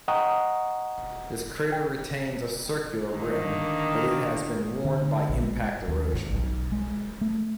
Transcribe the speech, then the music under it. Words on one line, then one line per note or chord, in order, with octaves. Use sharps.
This crater retains a circular rim, but it has been worn by impact erosion.
D#5 F#5 G5 A#5 C#6 D#6
G5
D3 D#3 A#3
D3
A#1
G#3
D#2
G#1
B1
G#3
A3